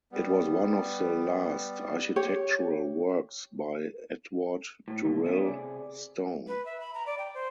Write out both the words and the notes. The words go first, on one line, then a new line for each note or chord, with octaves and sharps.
It was one of the last architectural works by Edward Durell Stone.
G3 B3
G4 C#5
A2
G2 B2 D3
D3 A3 B3 C#4 E4 F4
C3 G#4 D5
B4
E5
B5
A#5
D5
G5
C5